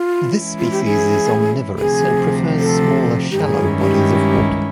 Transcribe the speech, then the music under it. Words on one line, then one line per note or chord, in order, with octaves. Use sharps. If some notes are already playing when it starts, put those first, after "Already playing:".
This species is omnivorous and prefers smaller shallow bodies of water.
Already playing: F4
E3 G#3 C#4 E4
F4
G4
G#4
D2 C3 F3 G#4
A4
G4
G2 D#3 G#3 C#4 E4 G#4
G4